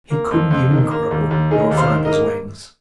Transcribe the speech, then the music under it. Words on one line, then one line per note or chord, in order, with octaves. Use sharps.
He couldn't even crow, nor flap his wings.
A#3
F2
F2
D#3
A#3
D#2
D#2
D#3 D#4 G#4
D#2
C5 F5
D#3
A#4 D#5
A#3